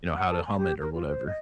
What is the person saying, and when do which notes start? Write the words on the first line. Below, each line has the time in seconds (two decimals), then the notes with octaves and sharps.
you know, how to hum it or whatever.
0.16 F#5
0.30 A4
0.46 G#5
0.57 G4
0.81 A#4
0.94 F4
1.08 C5
1.27 D#5